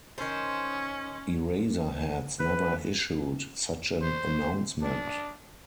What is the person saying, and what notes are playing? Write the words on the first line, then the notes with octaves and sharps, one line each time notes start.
Eraserheads never issued such an announcement.
D#3 C#4 C5
B4
C5
D4